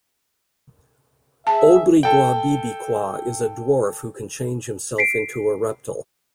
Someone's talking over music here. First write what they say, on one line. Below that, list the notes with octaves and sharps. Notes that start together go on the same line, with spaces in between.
Obrigwabibikwa is a dwarf who can change himself into a reptile.
G#4 E5 A5
A4 G5
B6 C7 D7